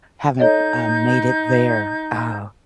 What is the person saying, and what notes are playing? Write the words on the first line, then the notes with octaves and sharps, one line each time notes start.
haven't, uh, made it there, uh,
D#4 A4 C#5 D#5 G6